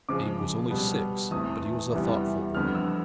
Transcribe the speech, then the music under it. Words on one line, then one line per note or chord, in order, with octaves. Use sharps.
Abe was only six, but he was a thoughtful boy.
C#3 F3 G#3 D6
B2 G3 B3
E2 C3 E3 A3 D#6
E2 C3 E3 G3 B3
F2 D3 G3 B3 F6
E6